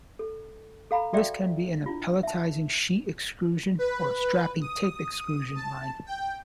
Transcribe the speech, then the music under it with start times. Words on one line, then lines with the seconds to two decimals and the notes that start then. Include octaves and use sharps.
This can be in a pelletizing, sheet extrusion or strapping tape extrusion line.
0.19 A4
0.91 A4 F5 A#5 B5
1.13 F#4 A4 D5 E5 G5
1.86 D4 E4 F4
2.23 E5 A5
3.79 B4
4.61 D#6
5.55 A5
6.06 G5